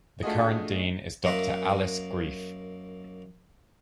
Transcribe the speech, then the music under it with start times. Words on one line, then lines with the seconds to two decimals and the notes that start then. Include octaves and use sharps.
The current dean is Doctor Alice Griefe.
0.22 A3 D4 F4 F#4 G#4 D#5
1.24 F#2 A#3 D#5 E5 F#5